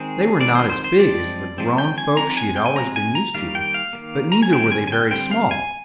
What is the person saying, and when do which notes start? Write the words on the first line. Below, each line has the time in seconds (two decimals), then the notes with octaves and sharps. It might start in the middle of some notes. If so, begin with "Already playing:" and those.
They were not as big as the grown folk she had always been used to; but neither were they very small.
Already playing: D#3 G#3 C4 G#4
0.40 D#3 G#3 C4 D5
0.55 C5
0.70 C5
0.84 C5
0.99 F3 G#3 C4 D5
1.58 F3 G#3 C4
1.78 G5
1.98 G#5
2.17 F3 G#3 C4 A#5
2.37 G#5
2.56 G5
2.66 G#5
2.76 F3 G#3 C4 A#5
2.96 G#5
3.15 A#5
3.35 D#3 G3 A#3 F5
3.55 G5
3.74 F5
3.93 D#3 G3 A#3
4.32 A#5
4.43 G#5
4.52 D3 G3 C4 G5
4.72 G#5
4.87 G#5
4.92 G5
5.11 D3 G3 C4 G5
5.31 F5
5.51 G#5